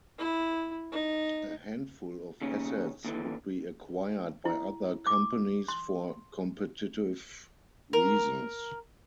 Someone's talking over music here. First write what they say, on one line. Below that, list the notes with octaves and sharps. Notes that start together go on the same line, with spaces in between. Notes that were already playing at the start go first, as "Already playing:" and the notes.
A handful of assets would be acquired by other companies for competitive reasons.
E4
D#4
D#2 C#3 C#4
D#2 D3 E3
E4
D6
C6
A#4